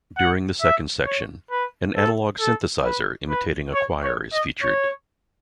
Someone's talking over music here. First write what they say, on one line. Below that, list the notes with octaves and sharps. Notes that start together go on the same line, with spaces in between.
During the second section, an analog synthesizer imitating a choir is featured.
F#5
E5
C#5
B4
A4
A4
B4
B4
C#5
C#5
D#5
C#5